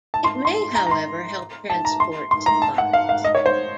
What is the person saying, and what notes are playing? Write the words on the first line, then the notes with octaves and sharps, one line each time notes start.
It may however help transport supplies.
A5
C6
C6
A#5
A#5
C6
A5
A#5
C6
C6
A#5
A5
F#5
F5
F5
D#5
C#5
C5